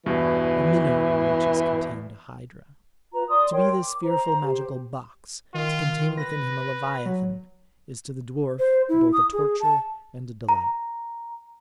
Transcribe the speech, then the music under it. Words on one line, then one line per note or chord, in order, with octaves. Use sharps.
A minnow in which is contained a hydra. To be this fearful magical box, to contain within him a leviathan, is to the dwarf both a torture and a delight.
E2 G2 B2 E3
F4 B4 A#5
D5 C6 D#6
A#4 C#5 G5 C6
D6
C5 A#5
G4 C5
D#3 F4
B4 A#6
F#3
C5
E4
D#6
G#4
A5
A#5